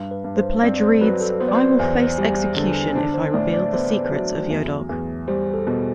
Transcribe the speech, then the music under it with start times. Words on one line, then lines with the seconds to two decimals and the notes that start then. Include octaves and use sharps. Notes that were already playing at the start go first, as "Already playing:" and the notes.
The pledge reads: I will face execution if I reveal the secrets of Yodok.
Already playing: G2
0.11 B4
0.24 G2
0.37 C5
0.63 C4 D5
0.76 D5
0.82 C5
1.01 F#3 B4
1.21 A4
1.40 B3 C5
1.48 D5
1.55 C5
1.79 E2
2.18 G3
2.57 D3
2.95 D4 C5
3.14 C5
3.34 A2 D5
3.54 D5
3.73 B3 C5
4.12 F#3
4.50 E2
4.89 E2
5.28 G3 C5
5.54 A4
5.67 B2